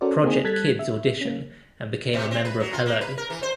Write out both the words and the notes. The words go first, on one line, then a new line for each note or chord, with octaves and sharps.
Project Kids Audition and became a member of Hello!
C#4 F#4 A4 A#4 C5 D5
A#3 C4 D#4 G#4
G3 A4 F#6 G#6 A6 B6
E5
A#3 C#4
B2
C4
B4
F#3
F4
A#3
B4
A#4
E3
C5